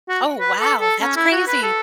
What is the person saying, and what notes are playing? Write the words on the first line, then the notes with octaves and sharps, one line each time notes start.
Oh, wow, that's crazy.
F#4
B4
A4
A4
C#4
E4
F#4
B4
A4